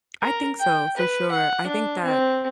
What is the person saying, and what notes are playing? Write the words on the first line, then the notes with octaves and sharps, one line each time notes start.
I think so for sure, I think that
A#4
G5
B4
F#5
D4
C4